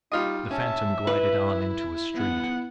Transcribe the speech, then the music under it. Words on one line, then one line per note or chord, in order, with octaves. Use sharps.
The Phantom glided on into a street.
G3 D#4 F4 D#5
C#4 E5 A5
E4 B4
B3 F#5